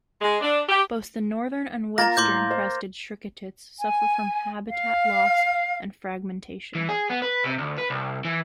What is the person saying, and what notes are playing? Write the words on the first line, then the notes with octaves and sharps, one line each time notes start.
Both the northern and western crested shriketits suffer from habitat loss and fragmentation.
G#3
D4
G4
A#3 F4 A#5 A6 A#6
A2 C6 D6 G6
C5
G#5
F5
E3
G#4
B3
B4
C3
D2
B4
C2
E3